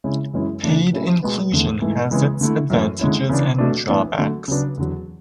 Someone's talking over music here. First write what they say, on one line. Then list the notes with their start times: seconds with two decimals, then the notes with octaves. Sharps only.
Paid inclusion has its advantages and drawbacks.
0.04 C#3 G#3 C#4 E4
0.34 F#2 E3 G#3 C#4 E4
0.63 C#3 E3 A3 D4
0.93 A2 F#3 C#4 E4
1.22 B2 G#3 B3
1.52 E2 D3 A3
1.81 G#2 E3 A3
2.11 C#3 E3 G#3 B3
2.41 D3 A3 E4
2.70 F#2 E3 A3
2.99 D3 G#3 C#4 E4
3.29 C#3 E3 B3 D4
3.58 B2 A3 D4
3.89 A2 E3 B3 D4
4.18 D3 F#3 A3
4.48 C#3 F#3 B3 D4
4.77 E2 D3 F#3